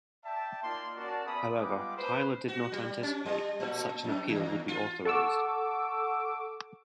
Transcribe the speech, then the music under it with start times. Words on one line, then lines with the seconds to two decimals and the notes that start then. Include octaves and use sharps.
However, Tyler did not anticipate that such an appeal would be authorized.
0.25 D5 E5 G5 A5
0.63 A#3 D#4 F4 D5 C6
0.96 C#4 F#4 A#4 D5 A5
1.26 B3 G#4 E5 B5 D#6
1.57 G3 G#3 B3 F4 B4 D6
1.96 B4 C5
2.48 F#4
2.72 G3
3.03 C#4
3.25 G3
3.60 A2
4.04 F2
4.29 D#2
4.68 F4
5.05 A4 F#5 C#6 D6 E6